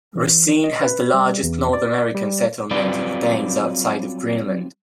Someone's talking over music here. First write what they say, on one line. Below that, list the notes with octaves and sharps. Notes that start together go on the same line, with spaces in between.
Racine has the largest North American settlement of Danes outside of Greenland.
E3
D#5
B4
G3
E2
D5
G3
F#3 G3 C4 F4 B4 D5